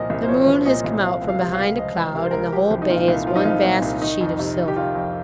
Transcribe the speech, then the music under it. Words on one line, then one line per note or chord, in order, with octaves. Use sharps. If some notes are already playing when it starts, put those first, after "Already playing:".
The moon has come out from behind a cloud, and the whole bay is one vast sheet of silver.
Already playing: C2 A#2 F3 D#5
C2
C5
F3 C#5
C2
A#2 D#5
C2
F3 F5
C#2
F5
C3
F5
C#2
F3 D#5
C#2
C3 A#4
C5
C#2 A#4
F3 G4
C2
D#4
A#2 F4
C2
F3 F4
D#4
C2 F4
A#2
C2
D#3 D#4
F2
C3
F2
G4
D#3 F4
F2